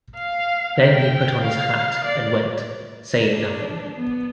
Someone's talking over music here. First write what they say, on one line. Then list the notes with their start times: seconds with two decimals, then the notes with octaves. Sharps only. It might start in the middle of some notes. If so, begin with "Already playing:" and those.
Then he put on his hat and went, saying nothing.
0.16 F5
0.79 G5
1.42 F5
2.05 D5
3.31 D4
3.94 B3